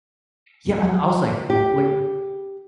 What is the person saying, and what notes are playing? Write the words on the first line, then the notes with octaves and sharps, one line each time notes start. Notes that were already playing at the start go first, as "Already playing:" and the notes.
Yeah, and I was like like
G4